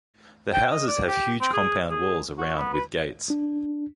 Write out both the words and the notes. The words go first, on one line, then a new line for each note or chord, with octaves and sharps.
The houses have huge compound walls around with gates.
G5
D#5
D5
G4
C4
G#4
G#4
F#4
B3
B4
D4